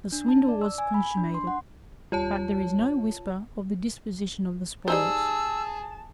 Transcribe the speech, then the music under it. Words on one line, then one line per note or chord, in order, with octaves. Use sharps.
The swindle was consummated, but there is no whisper of the disposition of the spoils.
D4
A5
D5
E6
G#5
B5
D4
C6
F#5
D#2 G3 F4 C#5 A5
G3 D#4 G#4 C5 A5 E6